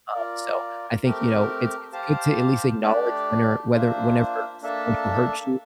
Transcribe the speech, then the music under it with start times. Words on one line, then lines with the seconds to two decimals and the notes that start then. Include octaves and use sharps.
um, so I think, you know, it's it's good to at least acknowledge when or whether whenever someone who hurts you
0.14 F4 A#4 D5
1.04 A3 C4 G4 A#4
1.92 G4 C5 F5 A5
2.83 A3 D4 G4 D5
3.72 A#3 D4 F4 C5 E5
4.62 A#3 D4 A4 E5 A5